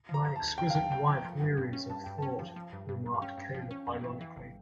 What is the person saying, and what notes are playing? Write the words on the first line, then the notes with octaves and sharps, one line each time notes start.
"My exquisite wife wearies of thought," remarked Caleb ironically.
F3
A#5
F3
A5
D2
C#3 G5
F5
D2 G5
C#3 G5
F3
F3
G2
G2
C#4
G2 A5
G2 G5
C#4 A5
F3
F3
G2
G2
G2
F5
C#4 G5
G2
F3
C#4
F2
E3
E3
G1